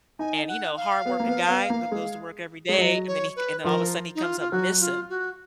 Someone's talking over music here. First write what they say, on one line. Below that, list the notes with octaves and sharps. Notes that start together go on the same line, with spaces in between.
And, you know, hardworking guy go goes to work every day and then he and then all of a sudden he comes up missing.
D#4 G#5
F#5
F5
B3
A#3
B3
B3
A#3
G#3
G#3 C#5
F#3 D#5
C#5
B4
F3 A#4
D#4
F4
F4
F#3 F#4
F4
F#4